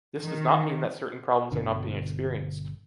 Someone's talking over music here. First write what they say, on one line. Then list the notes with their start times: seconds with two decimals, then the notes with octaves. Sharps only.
This does not mean that certain problems are not being experienced.
0.21 D#3
1.52 G1 B2 D3